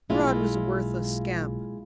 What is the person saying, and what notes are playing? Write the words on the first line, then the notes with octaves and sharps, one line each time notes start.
Rod was a worthless scamp.
B1 G#3 A#3 E4 F4